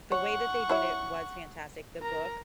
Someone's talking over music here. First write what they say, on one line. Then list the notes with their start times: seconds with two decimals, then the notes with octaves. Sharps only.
the way that they did it was fantastic. The book
0.12 C#5 F#5 C#6
0.69 E4 C#5 E5
2.01 A#4 A#5